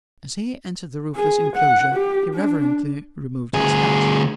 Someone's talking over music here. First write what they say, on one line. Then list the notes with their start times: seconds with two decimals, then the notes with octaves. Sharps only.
As he entered the roofless inclosure, he reverently removed his hat.
1.16 G#4
1.56 F#5
1.95 G4
2.34 D4
3.54 D2 G#4